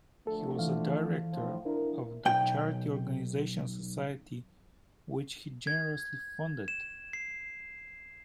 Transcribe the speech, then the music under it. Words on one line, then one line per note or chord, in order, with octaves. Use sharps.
He was a director of the Charity Organization Society, which he generously funded.
D3 F3 A3 A4
E3 F5
A2 D3 F3
D4 E4 A#4
B1 G5
G#6
E7
C7